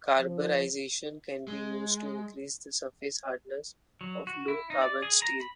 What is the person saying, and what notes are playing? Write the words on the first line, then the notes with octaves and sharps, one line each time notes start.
Carburization can be used to increase the surface hardness of low carbon steel.
F3
G#3
F#3
F#4
E4
D#4
D5
G#4
A#5
B5